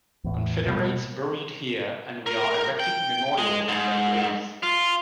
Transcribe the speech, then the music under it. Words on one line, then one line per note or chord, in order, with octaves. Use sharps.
Confederates buried here and we are erecting memorial on their graves.
E2 A2
B2 G3 A#3
A#4
G5
G#3
G#2
F4